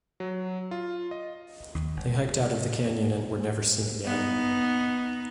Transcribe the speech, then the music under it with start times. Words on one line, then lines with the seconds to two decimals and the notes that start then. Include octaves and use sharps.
They hiked out of the canyon and were never seen again.
0.20 F#3
0.71 F4
1.11 D#5
1.75 D#2
1.96 G1
2.21 D3
4.05 B3 D#4